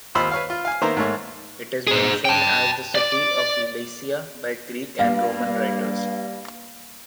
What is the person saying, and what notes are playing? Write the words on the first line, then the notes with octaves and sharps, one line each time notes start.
It is mentioned as the city of Lycia by Greek and Roman writers.
G#1 D#2 F4 C5 B5 E6
B4 C#5 F5
F4
F5 G#5
D#3 A#3 B3 C5 E5 A#5
G#2 A3 A#3 C#5
G#4 C5
G5 A5
D5
G2 G3 A#3 F5